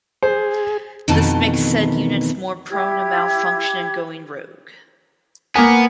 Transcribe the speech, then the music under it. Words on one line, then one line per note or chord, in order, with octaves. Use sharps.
This makes said units more prone to malfunction and going rogue.
G#4 C5
F2 B2 D#3 E3 A3 A5
E4 G4 G#6
A#3 B3 A#4 G#5